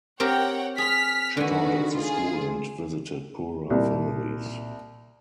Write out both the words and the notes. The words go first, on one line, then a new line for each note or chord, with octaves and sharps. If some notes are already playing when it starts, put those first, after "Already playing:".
She taught at the school and visited poorer families.
C4 G4 A#4 C#5 F#5 G5
G#4 C6 F6 B6
D3 D#3 F#4 B4 G#5
F4 G#4
C2 A#2